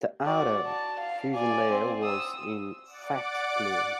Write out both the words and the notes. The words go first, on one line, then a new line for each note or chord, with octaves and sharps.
The outer "fusion layer" was in fact glue.
F#4 D5
A5
F5
D5 G#5
C4
D#6 E6
D5 F#5 D6